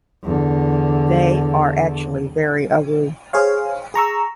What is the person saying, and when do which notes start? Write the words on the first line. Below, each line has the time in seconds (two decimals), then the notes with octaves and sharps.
They are actually very ugly.
0.24 E2 D3
3.33 G#4 C5 C#5 F5
3.94 G#4 A#5 C#6 E6